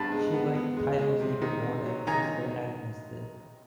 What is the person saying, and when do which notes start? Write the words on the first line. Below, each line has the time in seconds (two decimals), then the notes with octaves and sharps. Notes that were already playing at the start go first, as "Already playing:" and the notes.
She liked titles even more than Sister Agnes did.
Already playing: G2 B3 A5 B5
0.12 G#3
0.33 B3
0.55 B3
0.77 G#3
0.98 G#3
1.20 C3
1.42 D#3
1.63 C3
1.85 F#3
2.07 D#3 G#5 A#5